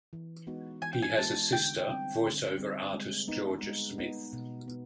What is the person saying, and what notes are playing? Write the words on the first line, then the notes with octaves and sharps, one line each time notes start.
He has a sister, voice over artist Georgia Smith.
E3
G#3 B3 D#4 F#4
E3 G#5
G5
G#5
G#3 B3 D#4 F#4 A5
D3 G5
G3 C4
D3
G3 C4
G#3
B3 D#4
G#3
B3 D#4
B2
B3